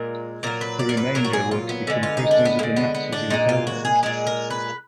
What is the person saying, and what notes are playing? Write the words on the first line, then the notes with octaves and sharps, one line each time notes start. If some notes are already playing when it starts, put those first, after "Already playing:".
The remainder were to become prisoners of the Nazis in Poland.
Already playing: A#2 G#3 A#4
A#2 F#3 A#4
B4
D5
A#4
B4
A#2 F#3 A#4
F#4
G#4
F4
B3
D3 G#3
F4
D#4
D4
B3
D3 G#3 A#3
B3
B3
D4
A#2 G#3 D#4
F4
F#4
G#4
A#2 G#3 G#4
A#4
B4